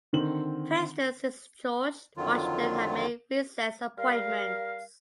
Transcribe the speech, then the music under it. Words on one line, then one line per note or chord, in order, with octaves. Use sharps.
Presidents since George Washington have made recess appointments.
D3 D#3 C4 F#7
F2 D3 D#3 F#3 F4
G3 A#4 F5